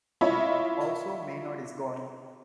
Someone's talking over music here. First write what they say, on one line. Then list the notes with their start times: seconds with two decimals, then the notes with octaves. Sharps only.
Also Maynard is gone.
0.21 E4 F4 C#5 D#5 E5 B5